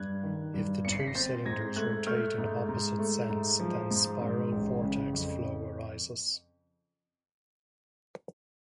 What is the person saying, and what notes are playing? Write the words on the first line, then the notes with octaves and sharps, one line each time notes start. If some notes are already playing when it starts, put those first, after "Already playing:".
If the two cylinders rotate in opposite sense then spiral vortex flow arises.
Already playing: G2 F#6 G#6
D#3
G2
G#1 C#7
C7
B6
A#6
C4 G6 A6
G#2 G#6 A#6
A3 F#6 G#6
A3 F6 G6
G#2
G#2
A3
G#2
F3
G#2
G#2
A1
C#3
F2